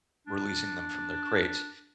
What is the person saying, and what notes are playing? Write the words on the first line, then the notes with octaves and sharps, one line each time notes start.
releasing them from their crates,
D4